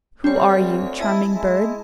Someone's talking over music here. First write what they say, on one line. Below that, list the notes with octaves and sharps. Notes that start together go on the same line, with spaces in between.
"Who are you, charming bird?"
D2 G3 C4 C#5
E4 D#5 G#5 A5
G#3 E4